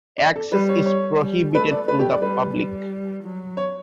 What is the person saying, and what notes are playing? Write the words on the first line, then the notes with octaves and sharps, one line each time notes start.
Access is prohibited to the public.
D5
A4
G3 B4
C#5
C#5
G3
A3 B4
D5
A3 B4
G4
D5
G3 B4
G3
F#3
C#5